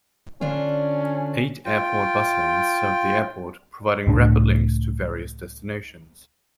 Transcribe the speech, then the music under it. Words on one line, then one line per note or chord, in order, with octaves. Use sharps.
Eight airport bus lines serve the airport, providing rapid links to various destinations.
D3 C#4 D4 F4
F4 G5
C#2 A2 D4